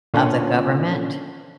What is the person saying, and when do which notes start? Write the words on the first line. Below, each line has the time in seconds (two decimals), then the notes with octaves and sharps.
of the government
0.14 A#2 D3 C#4 D4 F4